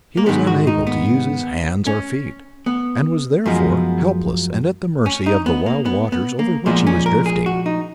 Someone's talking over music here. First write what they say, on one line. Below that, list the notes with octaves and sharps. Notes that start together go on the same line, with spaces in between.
He was unable to use his hands or feet, and was, therefore, helpless and at the mercy of the wild waters over which he was drifting.
A#3
G#2 D#3 G#3 B3
F#4
D#4
B3
C#4
B3
F#2 F3 G#3 B3
C#4
D#4
B3
A#3
B3
B3
A#3
A#2 F3 G#3 B3
C#4
A#4
G#4
F#4
D#4